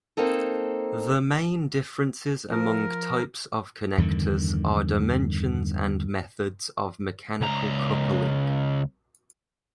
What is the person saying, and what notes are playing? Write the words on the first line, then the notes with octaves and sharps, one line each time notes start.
The main differences among types of connectors are dimensions and methods of mechanical coupling.
A#3 C4 D#4 A4
F3 A#4
E2 G2 D3 D#3
C#2 A#5